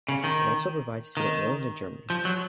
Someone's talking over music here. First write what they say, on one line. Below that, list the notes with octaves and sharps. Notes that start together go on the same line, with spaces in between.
It also provides student loans in Germany.
C#3
D#3
D#3
F3
F#3